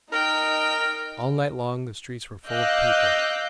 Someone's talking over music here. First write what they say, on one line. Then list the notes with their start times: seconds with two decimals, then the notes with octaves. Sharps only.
All night long the streets were full of people.
0.12 D#4 A#4 G5
2.49 D#5 F5 D6 E6 F#6 G6